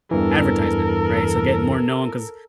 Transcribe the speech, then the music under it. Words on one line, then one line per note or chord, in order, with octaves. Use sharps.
advertisement," right? So, get more known 'cause"
E2 G2 E3 A4 A#4